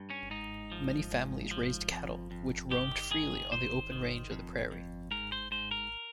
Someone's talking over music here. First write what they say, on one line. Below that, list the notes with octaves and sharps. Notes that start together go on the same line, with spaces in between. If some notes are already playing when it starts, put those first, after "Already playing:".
Many families raised cattle, which roamed freely on the open range of the prairie.
Already playing: G2
C#4
G#2 D#4
F3
G#2
F3
F2
F2
D#3 G4
D#3 G#4
D#3 C5
D#3
F2
F2
G#2 A#4
C5
G#2 C5
A#4